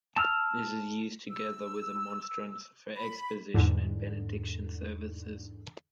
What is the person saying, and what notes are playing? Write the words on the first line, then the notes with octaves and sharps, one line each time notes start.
This is used together with a monstrance for exposition and Benediction services.
A5 E6 F6
E6
B5
E2 G#2 D3